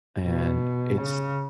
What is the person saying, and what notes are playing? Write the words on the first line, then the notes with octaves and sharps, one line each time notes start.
and it's
B2
C#3